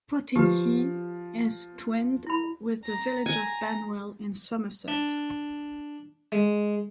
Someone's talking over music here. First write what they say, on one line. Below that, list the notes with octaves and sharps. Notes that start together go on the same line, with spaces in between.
Potigny is twinned with the village of Banwell in Somerset.
F3 G4 B4
E4 B5
A#5
G#5 A#5
D4
G#3